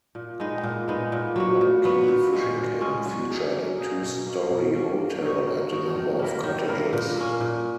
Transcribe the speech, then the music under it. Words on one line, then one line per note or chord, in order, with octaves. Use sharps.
Long Key Fishing Camp featured a two-story hotel and a number of cottages.
A#2
G#3 B3 D#4
A#2
G#3 B3 D#4
A#2
F#3 B3 F#4
A#2
F#3 B3 F#4
A#2
G#3 C#4 F#4
A#2
G#3 C#4 F#4
F#3
A#3 D#4 G#4
F#3
A#3 D#4 G#4
B2
A#3 C#4
B2
A#3 C#4
A#3
D#4 F#4 C#5
A#3
D#4 F#4 C#5
D#3
A#3 E4 A#4
D#3
A#3 E4 A#4
A#2
A#3 C#4
A#2